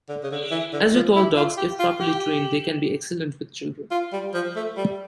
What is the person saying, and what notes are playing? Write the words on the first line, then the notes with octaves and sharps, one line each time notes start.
As with all dogs, if properly trained, they can be excellent with children.
D3
C#3
D3
E3
D3
F3
E4
F4
G4
F4
G4
F4
G3
F3
A3
G3